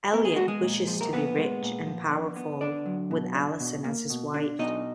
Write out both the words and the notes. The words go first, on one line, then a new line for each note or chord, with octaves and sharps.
Elliot wishes to be rich and powerful, with Alison as his wife.
B3 A#4
G#4
G#3 F#4
G#3 G#4
A#2
F3
A#4
A#2 B3 B4
G#3
A#2
F3
D4
B3
D3 D4 D5
F#3
B2
D4
B2
A#3
B2
D4
B2 D#4 D#5